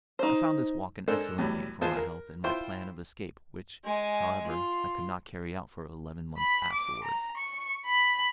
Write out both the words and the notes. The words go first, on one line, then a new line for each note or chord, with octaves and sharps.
I found this walk an excellent thing for my health and my plan of escape, which, however, I could not carry out for eleven months afterwards.
D#4 C5
G#3 D4 A4 A#4 C5
E2 A2 F#3 G3
E2 F4 G#4 C5 A5
A#4
E4 F4 C5 G5 C6
G#3 G#5
F4
B5
D6
A#5
C#6
B5